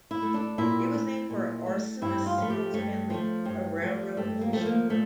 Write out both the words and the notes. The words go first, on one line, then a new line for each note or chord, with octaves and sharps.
It was named for Orsemus Hills Bentley, a railroad official.
E4
A3
D4
A#2 E4
A3
A#2
A3
G2 E4
F4
F3 A3
G4
G2 A3
F3 A3
G2
F3 A3
G2 A3
A#3
F3 A3
A#3
A#2 A3